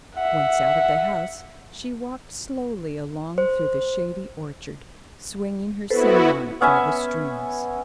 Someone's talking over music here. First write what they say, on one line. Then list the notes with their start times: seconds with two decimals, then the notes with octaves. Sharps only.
Once out of the house, she walked slowly along through the shady orchard, swinging her sunbonnet by the strings.
0.15 E5 F#5
3.38 C5
5.91 B3 E4 F#4 A4 B4 C5
6.61 B3 C#4 E5 G#5